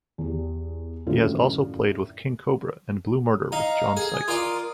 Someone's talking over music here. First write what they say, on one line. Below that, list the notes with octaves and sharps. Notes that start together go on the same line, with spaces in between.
He has also played with King Kobra and Blue Murder with John Sykes.
E2 G4
F#2 A2 D3 D#3 F4 F#4
D#4 F5 A#5
G#4
G#5 D#6
F4 A#4 D5 C6 D#6